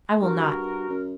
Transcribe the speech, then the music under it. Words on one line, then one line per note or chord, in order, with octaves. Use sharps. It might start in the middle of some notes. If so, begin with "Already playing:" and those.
I will not.
G2 F#4 A#4
F#2